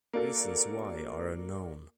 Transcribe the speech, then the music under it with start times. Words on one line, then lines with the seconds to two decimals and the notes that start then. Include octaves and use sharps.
Reasons why are unknown.
0.13 A#3 D4 F#4 A4 A#4